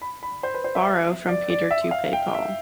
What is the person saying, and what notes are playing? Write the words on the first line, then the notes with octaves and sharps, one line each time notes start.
Borrow from Peter to pay Paul.
B5
B5
C5
B4
C5
E5
D5
D5
E5
F5
G5
E5